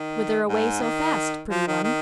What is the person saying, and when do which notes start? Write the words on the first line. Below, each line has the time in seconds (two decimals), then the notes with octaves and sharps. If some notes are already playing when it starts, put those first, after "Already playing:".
"Whither away so fast, pretty one?"
Already playing: D#3
0.49 G#2
0.82 D#3
1.50 F3
1.67 D#3
1.84 D#3